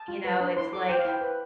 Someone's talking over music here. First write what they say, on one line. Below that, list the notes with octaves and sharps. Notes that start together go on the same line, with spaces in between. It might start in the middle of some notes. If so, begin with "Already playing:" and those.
you know, it's like
Already playing: A5
F4
B4
D4
E4 C6
A4 D6
C5 G5
F5
E4 G5
B4